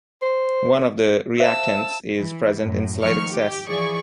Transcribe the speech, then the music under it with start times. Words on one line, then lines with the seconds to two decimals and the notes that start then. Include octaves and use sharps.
One of the reactants is present in slight excess.
0.22 C5
1.40 C5 E5 F5 A5 E6
2.18 E3
2.62 F#2 A2
3.01 G#2 D#3 F3 A3 C#6 F6
3.30 G4
3.67 E3 F3 G#4 D5 C#6